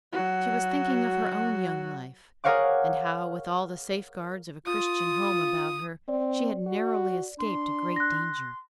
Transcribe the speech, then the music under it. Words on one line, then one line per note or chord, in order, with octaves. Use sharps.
She was thinking of her own young life, and how, with all the safeguards of a Christian home about her, she had narrowly escaped a great danger.
F#3 F#4
G#4 A#4 C#5 F5 F#5 D6
F4 D#6
C4 D5
F#4
D4 C6
F#6 A#6